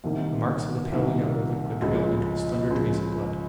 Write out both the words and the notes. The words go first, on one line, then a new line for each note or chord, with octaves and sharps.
The marks of the pale yellow liquid trailed into a slender trace of blood.
C2 C3 D#3 A#3
C2 C3 D#3 A#3
C#2 C#3 F3
C#2 C#3 F3